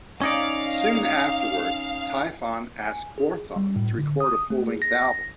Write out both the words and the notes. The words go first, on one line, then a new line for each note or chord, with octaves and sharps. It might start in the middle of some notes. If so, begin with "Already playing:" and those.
Soon afterward, Tyfon asked Quorthon to record a full-length album.
C#4 D#4 D5 F5
G#5
G#4
G3
A2
D3
D#6
A3
G#4
A#6